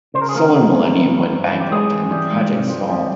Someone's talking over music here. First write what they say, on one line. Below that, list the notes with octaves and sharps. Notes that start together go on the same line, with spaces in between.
Solar Millennium went bankrupt and the project stalled.
C#3 C5
A#4
G#4
F3 A#3 A#4
E2
E2
E3
E3
G2
E3
G4
G#2 G#3 G#4
E3
E3 G3 G4
G#2
C3
F3
F2